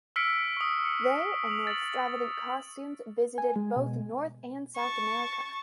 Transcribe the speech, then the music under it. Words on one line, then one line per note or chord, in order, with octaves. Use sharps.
They and their extravagant costumes visited both North and South America.
E6 F6 B6 C#7 D7
C#6 D#6
C#7
F7 F#7
A6 F#7
G#5
G#3
B2
A5 C#6